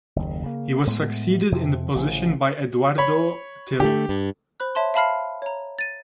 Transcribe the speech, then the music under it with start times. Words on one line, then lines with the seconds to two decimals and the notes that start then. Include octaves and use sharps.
He was succeeded in the position by Eduardo Thill.
0.16 F#1 D#2
0.44 C#3 A#3
0.87 A2 G#3 A3 B3
1.52 F2 C3 F3 C4
1.95 A1 C#3 F3
2.98 C#5 B5
3.80 D3 A3 G4
4.09 G2
4.60 C5 B5 F#6
4.75 C#5 E5 A5 C6
4.94 E5 F5 A5 B5 F6 C7
5.42 C#5 A#5
5.79 A6 D#7